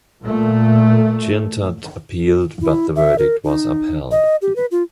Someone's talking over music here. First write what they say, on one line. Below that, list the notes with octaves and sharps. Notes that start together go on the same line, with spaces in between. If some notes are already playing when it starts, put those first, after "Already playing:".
Jeantot appealed but the verdict was upheld.
A#2 A3
E4
E5
A#4
D#4
D#5
G4
B4
F4